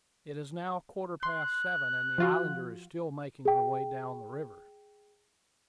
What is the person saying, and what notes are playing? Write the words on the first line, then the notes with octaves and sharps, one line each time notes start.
It is now quarter-past seven, and the Islander is still making her way down the river.
C6 F#6
F3 F4 F#4
G#4 G5